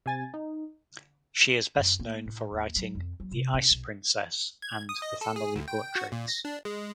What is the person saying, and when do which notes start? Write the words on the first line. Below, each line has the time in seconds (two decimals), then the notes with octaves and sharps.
She is best known for writing "The Ice Princess" and The Family Portraits.
0.06 C3 G#5 A6
0.34 D#4
1.78 F#2
1.99 A#3
2.26 A2
2.51 D#2
2.76 F#3
2.95 F2
3.20 F#3
3.31 C3
3.54 C#4
3.71 B1
4.62 G#6
4.89 D#6
5.02 D#5
5.21 A4
5.36 G#4
5.56 D2
5.68 G5
5.95 F#4
6.12 A#2
6.28 A#6
6.45 D4
6.65 G#3